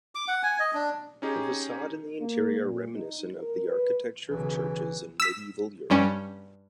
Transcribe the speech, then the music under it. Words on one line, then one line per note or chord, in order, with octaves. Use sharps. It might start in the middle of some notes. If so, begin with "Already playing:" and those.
The facade and interior are reminiscent of the architecture of churches in Medieval Europe.
D6
F#5
G#5
D#5
D4
C#4 D#4 G4 G#4
A#3
A#2
D#4
A#4
B4
B1 C#3 E3
E6 B6
G2 G3 C#4